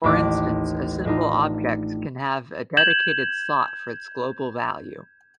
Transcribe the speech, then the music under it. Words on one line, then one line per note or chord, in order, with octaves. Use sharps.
For instance, a symbol object can have a dedicated slot for its global value.
A1 D#2 A2 C6 D6 F#6
A2 D4 D#4 F4
G6 G#6 E7 F#7